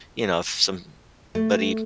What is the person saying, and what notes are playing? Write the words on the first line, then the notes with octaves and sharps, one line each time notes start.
you know, if somebody
A3